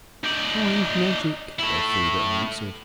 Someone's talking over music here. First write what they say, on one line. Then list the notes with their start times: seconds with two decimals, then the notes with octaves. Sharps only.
"Kind magic," Elfrida answered.
0.23 D#4 D5
1.59 A3 E4